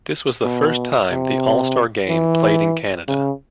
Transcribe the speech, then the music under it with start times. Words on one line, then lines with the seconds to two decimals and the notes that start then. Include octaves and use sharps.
This was the first time the All-Star game played in Canada.
0.44 B2
1.11 C3
2.09 E3
3.08 C#3